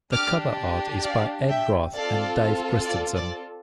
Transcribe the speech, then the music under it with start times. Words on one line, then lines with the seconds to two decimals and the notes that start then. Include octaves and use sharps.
The cover art is by Ed Roth and Dave Christensen.
0.13 D4 G4 D6 F6
1.03 D5 F5
1.48 E5 G5
1.94 C4 F4 A4 D5 F5
2.84 D5
3.15 D5